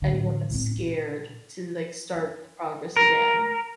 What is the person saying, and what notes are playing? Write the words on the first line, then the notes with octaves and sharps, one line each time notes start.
anyone that's scared to like start the progress again.
A2 D3
A2 C4
A#2 C#3
A#4